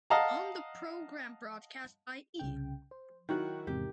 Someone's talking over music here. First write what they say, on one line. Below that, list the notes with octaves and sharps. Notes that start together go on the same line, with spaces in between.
On the programme broadcast by E!
D#5 F5 F#5 A5 A#5
C2 C#3 G5
C5
D#3 F#3 E4 F#4 G5 C#6 F#6
E2 G#2 C3 G4